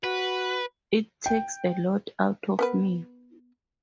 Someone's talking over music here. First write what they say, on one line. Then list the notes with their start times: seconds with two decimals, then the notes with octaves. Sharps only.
It takes a lot out of me.
0.04 F#4 B4
1.26 G5
2.59 B3 A#4 B4